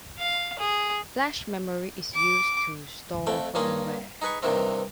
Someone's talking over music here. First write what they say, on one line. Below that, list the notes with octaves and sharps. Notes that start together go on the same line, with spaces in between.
Flash memory is used to store firmware.
F5
G#4
D6
F2 A3 G5
G2 A#3 C#4 F4 G#4
D#4 G#4 B4 B5 C#6
G2 C3 D#3 E3 C4